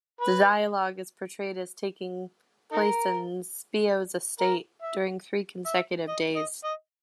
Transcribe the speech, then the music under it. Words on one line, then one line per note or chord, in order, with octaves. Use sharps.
The dialogue is portrayed as taking place in Scipio's estate, during three consecutive days.
B4
D#4 A#4
A#4
E5
E5
D#5
D#5
D#5